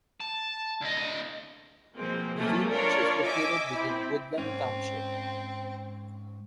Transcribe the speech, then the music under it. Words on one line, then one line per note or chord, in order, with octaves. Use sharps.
The village is located within Woodland Township.
A5
D2 D#5
B2 F3 G#3 A#3 C4
F#3 A3 A#3 C4 C#4
D4 F4 A#4 C#5 D5
D#5 E5 G#5 D6 E6
C4 E4
G#2 C4 C#4